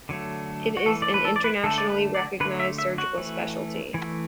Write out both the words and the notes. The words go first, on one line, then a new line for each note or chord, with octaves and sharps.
It is an internationally recognized surgical specialty.
D3 F#3 A3
F#4
E3 A3 A4
D5
B4
A4
D5
B4
D3 A3 A4
D5
B4
D5
D3 A3 B4
E5
E5
F#4
E3 A3
E3 A3